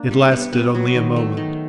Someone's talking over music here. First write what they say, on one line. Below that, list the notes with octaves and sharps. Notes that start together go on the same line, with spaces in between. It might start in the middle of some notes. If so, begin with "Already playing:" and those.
It lasted only a moment.
Already playing: A#3 D4
G3
B3
B3
F#3
D#3
A3
D#3